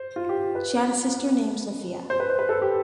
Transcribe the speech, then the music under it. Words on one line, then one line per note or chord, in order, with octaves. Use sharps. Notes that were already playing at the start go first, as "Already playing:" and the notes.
She had a sister named Sophia.
Already playing: C5
F4
G4
B4
C5
B4
C5
B4
A4
G4